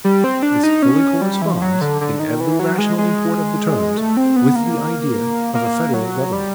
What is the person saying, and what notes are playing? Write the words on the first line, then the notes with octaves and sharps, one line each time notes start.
This fully corresponds, in every rational import of the terms, with the idea of a federal government.
G3
C4
D4
D#4
C#4
G3
E3
F3
F#3
D3
D3
D#3
E3
F#3
G#3
G#3
A3
C4
B3
A#3
A#3
F#3
G3